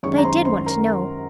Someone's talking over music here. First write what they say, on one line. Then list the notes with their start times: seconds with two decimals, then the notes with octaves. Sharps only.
But I did want to know.
0.03 F#2 D#3 G#3 C#5 C#6
0.18 A#5
0.25 C5 C6
0.45 C5 C6
0.66 A#4 A#5